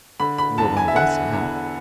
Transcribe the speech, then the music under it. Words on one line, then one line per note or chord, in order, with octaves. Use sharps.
You are one of us now.
D3 B5
B5
E2 A5
G#5
E5
D3 F#5
E2